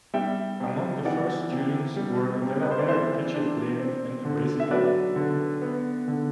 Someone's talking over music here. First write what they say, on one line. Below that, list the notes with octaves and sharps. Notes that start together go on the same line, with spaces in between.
Among the first students were Delabere Pritchett Blaine and Bracy Clark.
G3 E5 G5
C3
E3 D5 F#5
C3
G3
C3
B4
C5
D5
E3 C5 E5
D4
C4
D3
E5
F#3 B4 D5
D3
B3
D3